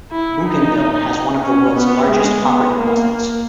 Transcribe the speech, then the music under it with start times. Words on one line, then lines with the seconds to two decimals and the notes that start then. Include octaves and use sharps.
Bougainville has one of the world's largest copper deposits.
0.11 E4
0.44 D#4
1.43 C#4
1.76 B3
2.08 G#3
2.41 B3
2.75 A#3